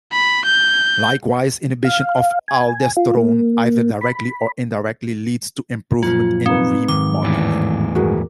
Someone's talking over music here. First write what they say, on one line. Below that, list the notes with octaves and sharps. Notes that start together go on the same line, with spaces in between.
Likewise, inhibition of aldosterone, either directly or indirectly, leads to improvement in remodeling.
B5
G6
F5
G#5
F4
A#3
B5
F#2 A#2 F3 F4
C3 C4 D#4 B4
G#2 D#3 D6
E2 A2 E3
G2 D#3 G#3 F#4 G#4 A#4